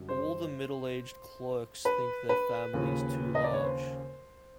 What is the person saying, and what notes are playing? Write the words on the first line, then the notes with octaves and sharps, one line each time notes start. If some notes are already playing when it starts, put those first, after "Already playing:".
All the middle-aged clerks think their families too large..
Already playing: F#2 D3 G3
C5
B4
B4
D#2 C#3 F3
D#5
D5
C#5
C5